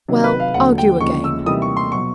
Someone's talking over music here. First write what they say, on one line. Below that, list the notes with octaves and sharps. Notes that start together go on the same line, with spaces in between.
"Well, argue again."
C3 D#3 F#3
B4
F5
D#2 D3 F#3 F#5
G5
D#2 C#3 F3 G#3 C#4 C#6
E6
C3 E3 G3 A#3 D#4 D#6
C#6
C6
B2 F#3 C#6